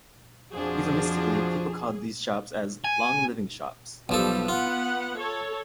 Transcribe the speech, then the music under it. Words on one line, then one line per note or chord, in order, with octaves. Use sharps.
Euphemistically, people call these shops as "long-living shops".
F2 F3 D4 F#4 G#4 C5
G#5
B1 F3 G3 A4
B3 F4 F#5
A4 C#5